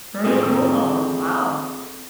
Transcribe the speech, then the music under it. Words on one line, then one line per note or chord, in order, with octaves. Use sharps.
Very cool, wow.
C4 F4 G#4 A4